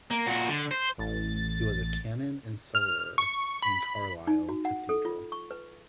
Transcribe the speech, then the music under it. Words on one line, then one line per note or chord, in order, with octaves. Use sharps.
He was a canon and cellerer in Carlisle Cathedral.
A#3
A#2 F#4
D3
C5
A1 A6
F6
C#6
B5
D#4
F#4
F#5
A4
F4
C#6
B4